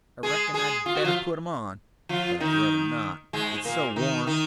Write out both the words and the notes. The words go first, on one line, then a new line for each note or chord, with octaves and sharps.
I reckon I'd better put 'em on, but I'd ruther not, it's so warm.
G#3 G#4
G#3 G#4
F4
F#4
F3 F4
F3 F4
D#3 D#4
G#2 G#3
A#2 A#3
D#3 D#4
D#3 D#4